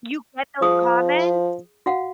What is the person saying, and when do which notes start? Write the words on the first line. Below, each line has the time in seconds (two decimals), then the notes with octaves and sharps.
You get those comments?
0.62 F3 G#4 D#6
1.86 F#4 F5 F#5